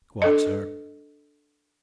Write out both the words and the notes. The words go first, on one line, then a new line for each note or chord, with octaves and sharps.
"Quite, sir."
D4 A4 D#5